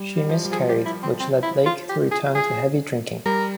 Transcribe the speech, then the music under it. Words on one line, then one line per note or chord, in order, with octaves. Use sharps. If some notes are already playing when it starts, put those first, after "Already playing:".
She miscarried, which led Lake to return to heavy drinking.
Already playing: G3
G3
F3
G3
F3 G#4
G4
E4
C4
C4
E4
F4
G4
G#4
G#4
G3 A#4